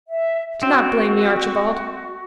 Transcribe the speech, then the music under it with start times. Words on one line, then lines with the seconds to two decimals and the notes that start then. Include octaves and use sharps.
Do not blame me, Archibald.
0.09 E5
0.63 C4 F#4